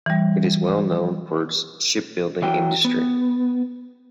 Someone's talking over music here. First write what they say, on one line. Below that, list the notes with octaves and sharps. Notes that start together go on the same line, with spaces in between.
It is well known for its ship building industry.
E3 G3
E3 F#3 F#4 G5
B3